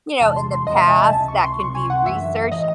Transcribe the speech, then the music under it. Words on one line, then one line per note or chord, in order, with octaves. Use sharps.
you know, in the past that can be researched.
E2 C3 E3 G#3 A5
C6
C6
E2 C3 E3 G#3 D#5
E5
G#5
A5
C#2 C3 E3 C4 A5
C#6
C6
C#2 C3 E3 C4 C#6
G#5
F#5
F#2 E3 A3 E5
E3 A3 D#5